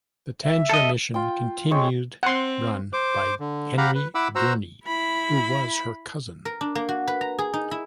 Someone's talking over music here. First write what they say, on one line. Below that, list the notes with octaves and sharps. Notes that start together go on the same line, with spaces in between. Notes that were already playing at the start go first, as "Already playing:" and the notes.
The Tangier mission continued run by Henry Gurney who was her cousin.
E5
A4 D#5
F4 G5
G#3 C4 C#5 G5
C4 F#5 C6
C5 D6
D3
G4 F5 F#5 A#5 B5
B4
E4 F#5 B5 D6 E6
F#4 C5 F#5 A#5 E6
E4 B5
A#4
D4
A#3
F#4
B4
A#5
G#4
D#4
E4